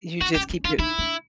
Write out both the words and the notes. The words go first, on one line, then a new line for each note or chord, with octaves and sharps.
You just keeping it
D4 F#4
C#4 G4
C#4
D4 F4
D#4 E4
D4